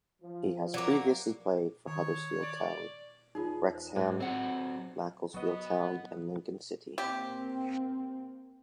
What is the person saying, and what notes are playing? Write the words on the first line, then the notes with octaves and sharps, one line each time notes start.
He has previously played for Huddersfield Town, Wrexham, Macclesfield Town, and Lincoln City.
F3
F#3 A#3 D5 D6
D#3 C#5
D5
E2 D#4 F4 G#4
C5
G#2 G#4 C5 D5
F#3 C4 D#5 F#5
F#3 B3 F#4 D#5
A#3 C4 G4